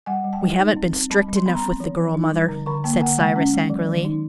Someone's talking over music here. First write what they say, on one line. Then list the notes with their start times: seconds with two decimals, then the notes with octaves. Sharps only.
"We haven't been strict enough with the girl, Mother," said Cyrus angrily.
0.06 G3 F#5 G#5
0.24 G3
0.33 G5 A5
0.41 G3
0.59 D#4
0.76 C4
0.94 C4
1.10 G3 A5 B5
1.29 G3
1.36 C6
1.46 B3 B5
1.54 A#5 C6
1.62 C4
1.80 F3
1.97 F3
2.14 D#4
2.31 G3
2.49 D3
2.66 D3 B5 C#6
2.84 A#3 G5 A5
3.01 D3 F#5 G#5
3.18 G#3 F#5 G#5
3.36 C#4
3.53 G#3
3.70 F#3
3.88 D#3
4.05 D#4